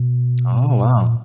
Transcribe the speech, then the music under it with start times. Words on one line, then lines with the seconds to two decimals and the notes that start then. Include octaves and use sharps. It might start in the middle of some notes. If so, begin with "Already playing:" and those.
Oh, wow.
Already playing: B2
0.96 A#2